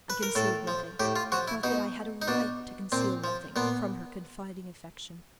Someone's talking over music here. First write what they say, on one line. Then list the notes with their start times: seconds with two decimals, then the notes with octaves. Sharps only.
I concealed nothing--felt that I had a right to conceal nothing--from her confiding affection.
0.10 B4
0.23 A#4
0.35 A2 A4
0.67 F3
1.00 A2 G4
1.16 F4
1.32 F3 F#4
1.48 E4
1.63 B2 D#4
2.22 D#4
2.28 B2 D4
2.92 A#2 C4
3.24 F3
3.56 A#2 B3